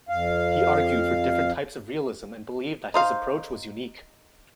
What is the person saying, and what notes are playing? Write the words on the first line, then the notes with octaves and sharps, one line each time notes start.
He argued for different types of realism and believed that his approach was unique.
F2 F5
D#4 C5 F5